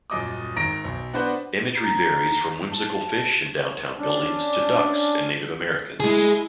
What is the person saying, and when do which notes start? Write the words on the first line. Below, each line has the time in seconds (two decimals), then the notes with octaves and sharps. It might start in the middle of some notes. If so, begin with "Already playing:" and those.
Imagery varies from whimsical fish and downtown buildings to ducks and Native Americans.
0.10 D#1 F#2 D#5 D6 D#6
0.56 G#1 D#3 A#5 A#6 D7
0.84 B1
1.14 B3 D4 F#4 B4 C5
1.75 A#5
2.70 A5
3.98 C#4 D4
6.00 G#3 E4 G#4